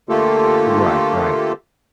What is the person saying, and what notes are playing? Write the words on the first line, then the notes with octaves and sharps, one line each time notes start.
Right, right.
D3 A3 A#3 F4 G4 A4